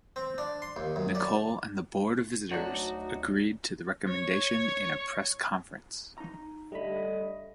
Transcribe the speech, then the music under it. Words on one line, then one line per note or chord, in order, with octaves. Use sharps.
Nichol and the Board of Visitors agreed to the recommendation in a press conference.
C4
D4
C6
D#2
F#2
D5
D2 F#3 D4 D#4 F#4
C#5
D#4 A#5
D3 G3 A3 D#5 B5